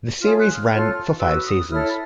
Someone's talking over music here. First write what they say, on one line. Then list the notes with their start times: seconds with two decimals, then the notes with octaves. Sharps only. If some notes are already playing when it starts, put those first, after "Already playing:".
The series ran for five seasons.
0.20 F4 G#4 C#5 F6
0.38 F#6
0.54 F6
0.71 F4 A4 C#5
1.19 F#4 B4 E6
1.45 D#6
1.69 E4 A4 C#5 F6